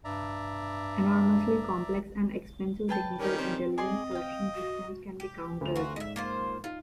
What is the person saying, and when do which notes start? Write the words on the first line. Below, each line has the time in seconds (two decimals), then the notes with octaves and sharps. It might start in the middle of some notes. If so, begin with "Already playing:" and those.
Enormously complex and expensive technical intelligence collection systems can be countered.
0.05 G2 D5 E5 A#5
2.89 F#3 B4 G5 A5
3.18 D#3 G3 C#4 A#4
3.38 C4 C5
3.78 G#4 D5 D#5 C6
4.11 F5 G5
4.55 F#4
5.20 G4
5.61 D2 F7
5.76 F4 F#4
5.96 G#2 D#5 E5
6.16 A#3 F4 C5
6.64 D#4 F4